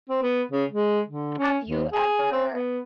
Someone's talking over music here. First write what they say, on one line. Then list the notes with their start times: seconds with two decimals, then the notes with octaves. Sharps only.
Have you ever
0.09 C4
0.23 B3
0.52 C#3
0.72 G#3
1.08 D3
1.38 C#4
1.69 D#2
1.93 G#4
2.32 C4
2.54 B3